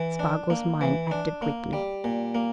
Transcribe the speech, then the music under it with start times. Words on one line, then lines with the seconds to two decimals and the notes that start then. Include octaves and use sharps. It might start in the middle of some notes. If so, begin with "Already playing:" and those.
Spargo's mind acted quickly.
Already playing: E3
0.19 D4
0.50 A#3
0.81 E3
1.11 D4
1.42 A#3
1.73 G3
2.04 A#2
2.35 A#3